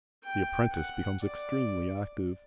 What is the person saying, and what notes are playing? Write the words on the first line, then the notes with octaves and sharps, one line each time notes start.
The apprentice becomes extremely active.
G5
F#5
D5